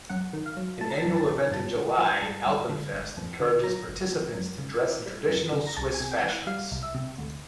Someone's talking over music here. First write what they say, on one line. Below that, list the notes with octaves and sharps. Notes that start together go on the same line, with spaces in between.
An annual event in July, Alpenfest, encourages participants to dress in traditional Swiss fashions.
F#2 F#5
D#3
F5
F#3
A3 A5
A#5
A5
F#2
A5
D#3
G2 A5
D3
F3
A#5
G2 A5
G2
D3
G1
F2
D3
F#3 A#5
G1
F2
F#2
C#3
E3
G3
F#2
C#3
A#5
C2 A5
G#5
C3
G5
E3
F#5
G3 F5
C2
E5
C3
D2